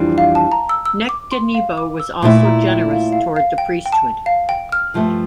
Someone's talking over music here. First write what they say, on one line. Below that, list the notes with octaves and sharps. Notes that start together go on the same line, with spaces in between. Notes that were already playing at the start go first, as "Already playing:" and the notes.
Nectanebo was also generous towards the priesthood.
Already playing: F2 E3 G3 D4 F4
F5
A5
A#5
E6
E6
D6
C6
F5
D6
E6
A#2 A3 E4 C6
A#5
G5
F5
F5
F5
G5
G5
A5
F5
G5
F6
G2 F3 A3